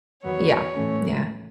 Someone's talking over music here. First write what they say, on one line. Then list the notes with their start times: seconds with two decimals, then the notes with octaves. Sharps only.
Yeah. Yeah.
0.24 E2 D#3 F#3 B3 C#5
0.75 A2 E3 A3 C#4